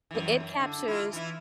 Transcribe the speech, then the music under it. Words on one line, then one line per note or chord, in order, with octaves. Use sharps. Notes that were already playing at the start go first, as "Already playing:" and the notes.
I it captures
F#2 E3
F#2
D3
E4 F4
E3 E4